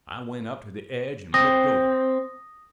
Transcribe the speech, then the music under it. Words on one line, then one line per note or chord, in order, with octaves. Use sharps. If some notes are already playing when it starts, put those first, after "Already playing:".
I went up to the edge an' looked over.
C4 D#6 A#6